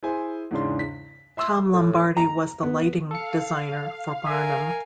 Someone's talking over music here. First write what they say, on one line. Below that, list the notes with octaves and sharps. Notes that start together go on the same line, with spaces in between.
Tom Lombardi was the lighting designer for "Barnum".
E4 G#4 C5 G#5
E2 G#2 C#3 D4 C6
B6
E5 C6 E6
A2
A#5
B3
A4 F5 C#7
A#4 E5 G#5